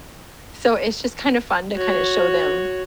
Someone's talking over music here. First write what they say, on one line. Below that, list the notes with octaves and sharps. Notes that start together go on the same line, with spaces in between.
so, it's just kind of fun to kind of show them,
F#4 C#5